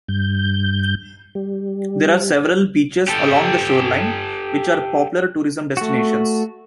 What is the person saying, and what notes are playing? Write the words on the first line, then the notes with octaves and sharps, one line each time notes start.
There are several beaches along the shoreline, which are popular tourism destinations.
G2 G6
G3
G4 A4
A3 F#4